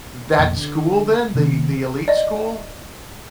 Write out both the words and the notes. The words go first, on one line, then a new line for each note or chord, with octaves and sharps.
that school then, the the elite school?
B1 F2 A#2
D3
C3 D#3 A#3 C#4
D5 D#5